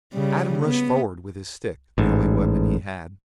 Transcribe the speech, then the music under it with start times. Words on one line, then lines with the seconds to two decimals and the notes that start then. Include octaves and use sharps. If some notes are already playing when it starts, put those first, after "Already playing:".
Adam rushed forward with his stick, the only weapon he had.
0.14 C#3 G3
0.64 B3
1.98 A1 G#2